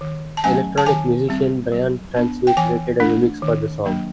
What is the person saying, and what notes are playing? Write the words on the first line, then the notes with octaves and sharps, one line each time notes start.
Electronic musician Brian Transeau created a remix for the song.
D#3
A5
F#3 A3 C#4 G#5
A5
D#3 G#5
G3 C4
F#3
B3 D4
G5
E3 G#5
A3 D4
D#3
F#3 A#3 D4